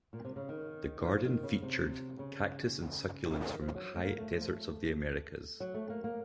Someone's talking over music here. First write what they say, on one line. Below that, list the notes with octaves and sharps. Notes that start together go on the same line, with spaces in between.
The Garden featured cactus and succulents from high deserts of the Americas.
A#2
C3
C#3
D#3
D#3
F3
D#3
C#3
C3
C#3
D#3
D#3
F3
F#3
A3
A#3
A3
F3
A#3
A3
F#3
A3
A#3
A#3